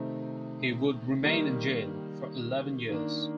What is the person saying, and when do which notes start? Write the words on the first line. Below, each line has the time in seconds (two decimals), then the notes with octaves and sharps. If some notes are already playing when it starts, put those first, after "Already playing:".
He would remain in jail for eleven years.
Already playing: C3 D#3 A3 C4 D#4
1.23 D#3 G3 A#3 D#4
2.89 D#3 A#3 D4